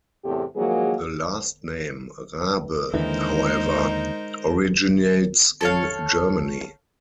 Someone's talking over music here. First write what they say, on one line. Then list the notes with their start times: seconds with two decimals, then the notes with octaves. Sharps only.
The last name "Rabe", however, originates in Germany.
0.23 E2 A2 C3 A3 G4 A4
0.55 D#3 F3 F#3 G#3 A#3 G#4
2.94 D#2 D3 E3 G#3 D#4 A#4 C5
5.61 A4 C#5 F5